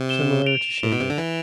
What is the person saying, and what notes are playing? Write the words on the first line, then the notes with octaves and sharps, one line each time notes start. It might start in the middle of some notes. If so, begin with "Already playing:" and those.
Similar to Shindig!
Already playing: C3
E7 G7
D7 F7
A2
B2
C3
D3
E3